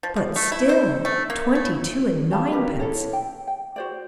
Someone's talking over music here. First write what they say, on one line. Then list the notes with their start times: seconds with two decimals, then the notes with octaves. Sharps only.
'But, still--twenty-two and ninepence!
0.03 F3
0.16 F3
0.36 A3
0.52 E4
0.69 C5
1.05 A3
1.30 A#3
1.55 A3
2.31 G4 F5 A5 B5
2.52 F#4 G4 A#4 B4
2.80 E4 A4 C#5
3.13 G5
3.47 G5
3.76 F#4 C5 D5